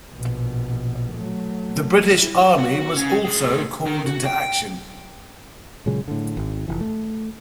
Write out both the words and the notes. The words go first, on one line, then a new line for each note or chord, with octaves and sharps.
The British Army was also called into action.
A#1 B2
F#3 A3
E4
F#4
C#3 C#4
A2 G#4
D#3 A#4
F#4
G5
A#2 C#3 F#3 G#3
A2 D3
G#1
F1 E3
A3